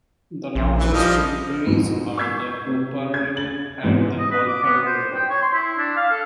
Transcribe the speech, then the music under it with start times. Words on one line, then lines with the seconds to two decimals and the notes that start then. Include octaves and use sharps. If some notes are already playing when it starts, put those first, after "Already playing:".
The largest tributaries are the Okpara River and the Alpouro River.
0.55 A#1
0.79 E3
0.94 F3 G3 D#5
1.66 F2 G#2 B2
2.18 C#6 E6 G6 G#6 B6 C7
2.66 C3 C4
3.14 G#6
3.37 A6 F#7
3.84 G#2 C3 E3 B3 C#4
4.19 D#5
4.31 B4
4.47 D6
4.63 B3
4.86 C5
5.14 G5
5.30 C#5
5.42 C6
5.54 E4
5.78 D4
5.97 F5
6.11 A4